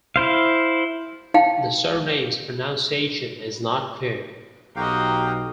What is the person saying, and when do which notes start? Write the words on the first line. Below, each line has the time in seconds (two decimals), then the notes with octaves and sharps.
The surname's pronunciation is not clear.
0.16 E4 C5 F5
1.34 D#4 F5 G5 A5
4.76 B1 F#4 G4 D#5 F5 G5 A#5